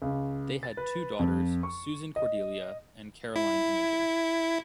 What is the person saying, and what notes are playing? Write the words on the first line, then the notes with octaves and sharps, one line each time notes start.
They had two daughters Susan Cordelia and Caroline Imogen.
C#2
A6
B4
F2
C#6
D#5
E4